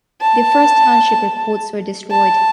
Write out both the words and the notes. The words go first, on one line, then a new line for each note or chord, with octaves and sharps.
The first township records were destroyed.
A5
A5